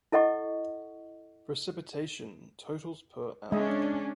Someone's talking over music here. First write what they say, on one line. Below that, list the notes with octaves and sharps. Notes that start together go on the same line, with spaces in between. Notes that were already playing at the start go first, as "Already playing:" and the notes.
Precipitation totals per annum.
E4 A4 D#5 F#5 C#6
G#3 C#4 D4 D#5 E5